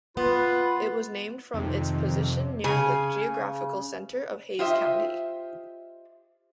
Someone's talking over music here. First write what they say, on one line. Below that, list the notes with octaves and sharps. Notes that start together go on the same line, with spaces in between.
It was named from its position near the geographical center of Hayes County.
B3 F4 B4
F2 C3 D#3
C#3 G#5
F4 G4 C5 D#5 E5